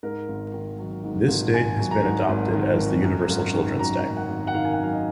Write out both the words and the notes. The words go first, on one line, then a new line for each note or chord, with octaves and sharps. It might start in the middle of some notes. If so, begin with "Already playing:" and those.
This date has been adopted as the Universal Children's Day.
G#2 A#4
G#1
D#3
F#3
G#2
G#1
D#3 G#5
F#3
A#5
G#2
G#1
D#3
F#3
F#2
G#1
D#3
F#3 A#5
F#2
F#5
G#1
F#5
D#3 F5
G#5
F#5
F#3 F5
D#5